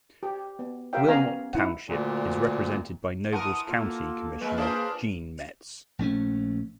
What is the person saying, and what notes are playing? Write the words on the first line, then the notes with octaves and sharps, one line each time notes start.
Wilmont Township is represented by Nobles County Commissioner Gene Metz.
G4
B3
G4 A#4 C#5 E5 F5 G5
B3 C#4 A#4 F5 G#5 A#5
D#4 E4 F#5
D2 A#2
E3 A#4 F#5 A5 C6 D#6
A#3 F4 A4
A#2 G#3 A#3 B4
D4 F4 G#4 A#4 C5
A#1 A3 C#4